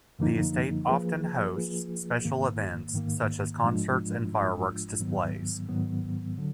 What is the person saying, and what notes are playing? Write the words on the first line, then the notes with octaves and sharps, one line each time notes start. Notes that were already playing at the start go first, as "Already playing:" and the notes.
The estate often hosts special events, such as concerts and firework displays.
F#2 D3 F3 A#3 D#4
F3 A#3 F4 G#4 B4
F3 A#3 F4 G#4 B4
G#2 D#3 A#3
G#2 D#3 A#3
G#2 F3 G#3 D4 F4
G#2 F3 G#3 D4 F4
G#2 D#3 F#3 B3
G#2 D#3 F#3 B3
D3 F#3